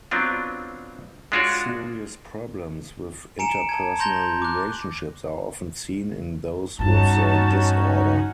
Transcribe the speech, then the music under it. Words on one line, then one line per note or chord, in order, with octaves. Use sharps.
Serious problems with interpersonal relationships are often seen in those with the disorder.
F#3 B3 C4 D4 F4
G#3 D4 F4 F#4 C#5 D5
G#5 A#5 C#7 D7 E7
A5 G#6
A#5 C6 G6 A#6 F7 G7
D6 F#6
E2 G2 C#4 D#4 F#4 A5